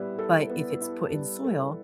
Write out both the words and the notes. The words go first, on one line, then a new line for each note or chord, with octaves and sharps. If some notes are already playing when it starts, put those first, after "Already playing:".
but if it's put in soil,
Already playing: G3 B3 E4
A4
B3
E4
G3
A4